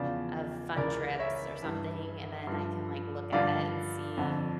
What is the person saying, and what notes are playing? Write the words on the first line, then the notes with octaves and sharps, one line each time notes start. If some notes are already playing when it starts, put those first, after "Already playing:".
of fun trips, or something, and then I can, like, look at it and see,
Already playing: E2 C#3 F3 D5 F5
C#2 C#3 E3 A#4 D5
C#5 E5
G2 E3
G2
F3
G2 D3 F3 D5 F5
F2 D3 F3